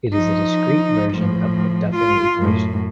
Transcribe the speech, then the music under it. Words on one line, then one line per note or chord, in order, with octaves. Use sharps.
It is a discrete version of the Duffing equation.
F3 D#4
A2 F3
F4
F#2 A2